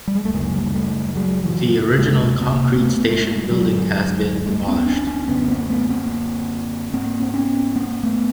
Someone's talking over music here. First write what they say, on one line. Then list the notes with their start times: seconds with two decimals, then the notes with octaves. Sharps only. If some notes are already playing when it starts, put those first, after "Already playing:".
The original concrete station building has been demolished.
0.08 G3
0.15 G#3
0.25 A3
0.33 F#2 C#3 G#3 A#3
0.47 F#3
0.57 G3
0.66 G#3
0.75 G3 A3
1.16 F#3 G#3
1.44 E3 F#3
1.98 F#2 C#3 G#3 A#3
2.39 A#3 C4
2.73 C4
2.80 A3 B3
3.08 G#3 A#3
3.35 G#3
3.43 G3
3.51 F#3 G#3
3.63 F#2 D3
4.45 G3 A3
4.66 B3 C#4
4.86 C4 D4
5.07 C4 D4
5.27 F#2 D3 B3 C#4
5.48 A#3 C4
5.70 A3 B3
5.89 A#3 C4
6.93 G#2 A#3 C4
7.22 C4
7.34 B3 C#4
7.75 A#3 C4
8.03 A3 B3